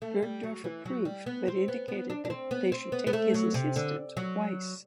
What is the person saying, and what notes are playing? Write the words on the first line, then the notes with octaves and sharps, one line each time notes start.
Burgdorf approved but indicated that they should take his assistant, Weiss.
A3
G3
F#3
E3
F#3
G3
B3
C4
B3
B3
D4
D4
C4
B3
C4
B3
B3
A3
F#3
C3
D3
F#3